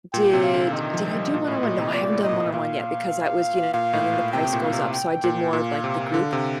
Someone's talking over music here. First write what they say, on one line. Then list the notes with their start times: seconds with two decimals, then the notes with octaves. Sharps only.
did Did I do one-on-one? No, I haven't done one-on-one yet, because that was, you know, then the price goes up, so I did more of, like, the group,
0.13 A#2 G5
0.33 C3
0.43 F5
0.54 D3
0.73 D#3 D#5
0.94 F3
1.13 G3
1.34 A#2
1.48 A2
1.63 A#2
1.78 C3
1.93 A#2 D5
2.13 A2
2.23 D#5
2.29 A#2
2.33 A2
2.53 A#2 F5
3.74 A#2 F5
3.93 A2
4.13 A#2
4.33 C3 G5
4.53 A#2
4.63 F5
4.73 C3
4.93 G5
5.24 A#2
5.53 A#2 F5
5.84 C3
6.14 D3
6.33 C3